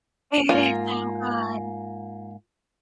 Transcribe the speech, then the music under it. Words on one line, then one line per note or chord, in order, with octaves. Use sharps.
It is so good
G#2 A#3 F4